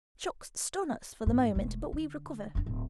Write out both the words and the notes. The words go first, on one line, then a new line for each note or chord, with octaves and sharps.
Shocks stun us for the moment, but we recover.
G#2
E1 A3
D3
F1 D4
D1